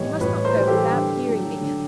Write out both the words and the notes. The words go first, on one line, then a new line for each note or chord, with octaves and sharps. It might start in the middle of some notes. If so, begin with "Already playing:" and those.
You must not go without hearing me.
Already playing: A2 E3 G3 C#5 D#5
A2 B4 C#5
A#4 C5
E3 G3
G4 A4
D3
F#3 A3
D3